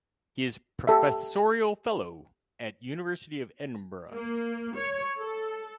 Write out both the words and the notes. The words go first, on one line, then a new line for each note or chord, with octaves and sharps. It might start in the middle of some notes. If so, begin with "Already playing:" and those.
He is professorial fellow at University of Edinburgh.
G4 A4 E5
A#3
C#5
A4